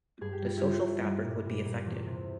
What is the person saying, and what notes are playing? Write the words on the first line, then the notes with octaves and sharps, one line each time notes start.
The social fabric would be affected.
G2 G#4
G4
G3 F4
E4 G4
G3
G2
G3
A#2
A#2
A#2
E2
C3